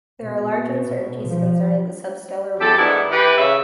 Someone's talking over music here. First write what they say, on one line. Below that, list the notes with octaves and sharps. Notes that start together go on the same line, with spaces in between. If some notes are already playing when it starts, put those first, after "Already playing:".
There are large uncertainties concerning the substellar region.
B2
F3
E2 G4 A4
G#2 B3 D4 E4
E3 G4 B4
C#3 E5